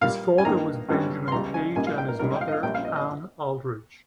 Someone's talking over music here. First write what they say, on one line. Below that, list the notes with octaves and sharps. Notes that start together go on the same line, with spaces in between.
His father was Benjamin Page and his mother Ann Aldrich.
A#2 G3 A#3 F5
G#5
G2 D#3 A#3 D#4 A#5
G#1 G2 G3 C#4
C6
C#2 C#3 G3 A#5
G#5
A#1 G#2 G3 A#3 D#4 G#5
F5
G5
A#4
A#1 G#2 G3 C#4 A#4
D#5
G5
F5
D#5
F5
A#1 A#2 G3 C#4 G5
F5
D#5
D#5